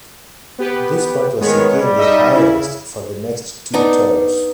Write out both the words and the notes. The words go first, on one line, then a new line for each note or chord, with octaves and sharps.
This point was again the highest for the next two Tours.
B3 G4 B4
D#3 G#3 B3 C#5
G3
D#4 D#5 E5
C#3 E4
B3 D4 D#4